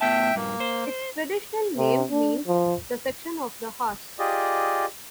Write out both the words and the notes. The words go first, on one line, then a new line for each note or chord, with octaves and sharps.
Its traditional name means "the section of the horse".
A2 B3 E5 G5 A5
G2 A#2 A#3
C5
C3
D4
F3
F4 G4 G#4 D5 D#5